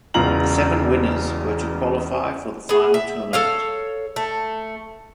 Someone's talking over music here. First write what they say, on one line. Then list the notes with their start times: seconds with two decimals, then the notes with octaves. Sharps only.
The seven winners were to qualify for the final tournament.
0.14 E1 E2 C#3 F4 A#5 F#7
2.69 B3 G#4
2.94 E5
3.33 A4 C#5 F5
4.16 A3